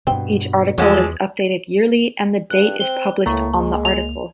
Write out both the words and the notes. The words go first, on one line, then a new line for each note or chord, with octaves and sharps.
Each article is updated yearly and the date is published on the article.
G2 B2 C4
E2 E3 F3 G#3 C#5 F#5
G2 F#6
C4 G7
C#2 A2 A#3 A#5 C#6
G#3
F7